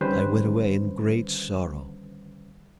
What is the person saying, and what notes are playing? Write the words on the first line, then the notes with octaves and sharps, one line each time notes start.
I went away in great sorrow.
D3 D#3 G3 C#4 B4 C5